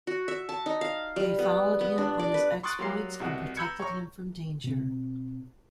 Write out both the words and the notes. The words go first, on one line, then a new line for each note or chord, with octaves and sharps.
They followed him on his exploits and protected him from danger.
F#4
E5
A5
D#4
F5
G3
B3
B3
D4
D5
B4
C6 C#6 D#6 F#6 A6 D7
F#3 G3 A#3 C6 C7
C2 B2 F#4
A#5 B5 E6 G6 G#6 C#7
C#5 A#5 C#6
B2 C4